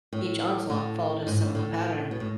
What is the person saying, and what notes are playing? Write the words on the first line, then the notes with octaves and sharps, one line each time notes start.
Each onslaught followed a similar pattern.
A2
A2
G#2
A2
A2
B2
A2